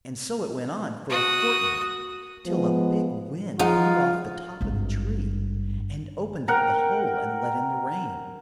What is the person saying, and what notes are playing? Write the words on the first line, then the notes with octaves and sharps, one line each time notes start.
And so it went on for a fort- night; till a big wind blew off the top of the tree, and opened up the hole and let in the rain.
F#4 D#6
F3 G#3 B3
F3 D#4 F4 G#4 F#5
G#1 G2
A#4 F#5 G5